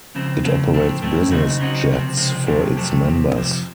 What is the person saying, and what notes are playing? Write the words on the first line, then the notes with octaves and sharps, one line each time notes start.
It operates business jets for its members.
C#2 C#3 F3 C4
C#2 C#3 F3 C4
A2 F3 A3 C4
A2 F3 A3 C4
C#3 F#3 C4 D#4 F#4
C#3 F#3 C4 D#4 F#4
C#2 C3 F3 C4
C#2 C3 F3 C4
F2 C3 F#3 A3 C4
F2 C3 F#3 A3 C4
F2 C3 F3
F2 C3 F3